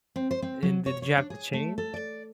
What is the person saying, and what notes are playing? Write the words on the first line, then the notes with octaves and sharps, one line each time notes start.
and did you have to change?
C4
C5
C4
F#3
C#5
C#5
D4
G#4
A3
A4
D5